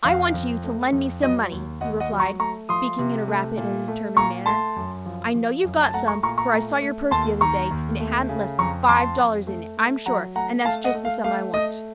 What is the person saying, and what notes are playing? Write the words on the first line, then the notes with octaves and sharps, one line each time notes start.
"I want you to lend me some money," he replied, speaking in a rapid and determined manner; "I know you've got some, for I saw your purse the other day, and it hadn't less than five dollars in it, I'm sure, and that's just the sum I want."
F2 F5
F2
A3
F2
F#3 D#5
D#2
D#2 D#5 F#5
D#5 F#5
F#3
A#5 C#6
A3 A#5 C#6
F3 C6 D#6
C3
A3
A#2
A3
A#2 A#5 C#6
A3 A5 C6
F#2
F3
F3
F#2
A5
A3 F#5 A#5
A#5 C#6
A#2 A#5 C#6
A#5 C#6
A3
A3
D#2 A5 C6
D#3 A#5 C#6
D#2
A3
C#3
F2 A#5 C#6
F2 A5 C6
F2
A3
A3
F#3 F#5 A#5
A3 F#5 A#5
A3 F5 A5
D#5 F#5
A3
F5
A3 F5
A3 D#5